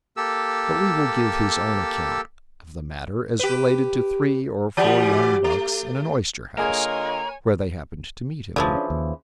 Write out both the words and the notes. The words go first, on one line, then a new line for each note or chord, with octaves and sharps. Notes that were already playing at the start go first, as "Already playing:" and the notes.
But we will give his own account of the matter, as related to three or four young bucks in an oyster-house, where they happened to meet him.
A#3 G4 A4 E6
G4 B4
E3 G3 F#4
A3
D3 A#3 F4 G#4 A#4 C#5 D#5 G#5
F1 D2 C#3 E3 F3
C#4 D4
D#2